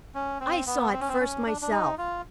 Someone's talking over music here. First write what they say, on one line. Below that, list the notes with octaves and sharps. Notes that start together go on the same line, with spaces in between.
I saw it first myself.
C#4
C4
B3
C4
C#4
C4
C#4
D4
D4
D#4
F4